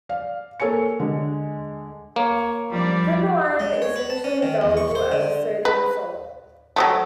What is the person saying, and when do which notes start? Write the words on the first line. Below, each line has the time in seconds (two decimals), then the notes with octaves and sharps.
Primuline is usually available as a sodium salt.
0.09 D5 F5
0.60 A#3 A4 C#5 G#5 C#7
1.00 D3 G#3
2.16 A#3 C#5
2.71 F3 G3 D4 D5
3.59 G#3
3.82 C#5
3.96 B4
4.10 A5
4.24 C#4
4.42 D#3
4.61 E2
4.77 C#6
4.95 C5
5.12 D3
5.65 B4
6.76 F#3 G#3 A3